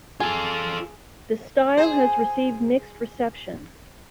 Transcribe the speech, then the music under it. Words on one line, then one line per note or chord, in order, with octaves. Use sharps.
The style has received mixed reception.
F4 G#4 A4
G#4 C5